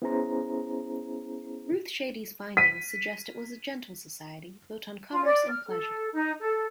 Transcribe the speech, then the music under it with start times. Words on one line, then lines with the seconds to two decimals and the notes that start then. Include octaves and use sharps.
Ruth Shady's findings suggest it was a gentle society, built on commerce and pleasure.
0.02 B3 C#4 E4 G#4 C5 A#5
2.57 B6 D#7
5.12 F4
5.24 D5
5.50 F6
5.67 A4
6.12 D#4
6.39 A4